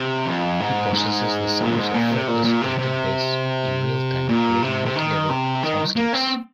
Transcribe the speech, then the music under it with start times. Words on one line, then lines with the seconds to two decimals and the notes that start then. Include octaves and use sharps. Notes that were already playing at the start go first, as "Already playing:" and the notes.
He processes the sounds of fretless electric bass in real time, creating multi-level soundscapes.
Already playing: C3
0.26 F2
0.60 G#2
0.93 G#2
1.60 A#2
1.71 F2
1.77 G#2
1.94 A#2
2.10 C3
2.28 A#2
2.44 A#2
2.61 C3
2.78 C3
4.29 A#2
4.62 C3
4.85 C3
4.96 D#3
5.30 C3
5.63 D#3
5.96 A#3
6.13 C4